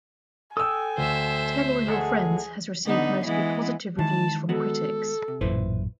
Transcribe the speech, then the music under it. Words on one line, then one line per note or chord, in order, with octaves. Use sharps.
"Tell All Your Friends" has received mostly positive reviews from critics.
A4 G5 G#5 D#6 E6
D2 C5 E5
G#3 G#4 A4 F#5
D3 B3 D#4
E3 G#3 B3
D#3 E3 G#3 A5
G#3 B3 F#4 A4
C3
A1 F#2 A#2 E4 B4 C5